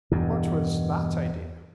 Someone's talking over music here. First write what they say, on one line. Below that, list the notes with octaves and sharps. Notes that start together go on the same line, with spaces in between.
"What was that idea?"
E2 G2 B2